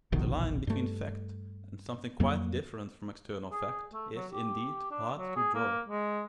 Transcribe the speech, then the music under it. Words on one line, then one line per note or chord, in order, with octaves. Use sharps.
The line between fact and something quite different from external fact is, indeed, hard to draw.
F1 A#1 B2 D#3
G2 A3
F2 F#3 A#3
G#4
A3
F#3
G4
D4
F#3
G#4
A#3
G#3